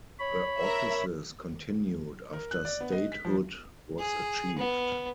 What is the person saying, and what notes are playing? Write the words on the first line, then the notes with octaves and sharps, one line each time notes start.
The offices continued after statehood was achieved.
C#5 B5
A#4 E5
A#4
F#6
D5
B3
D#5
B6
F3
G#4
B3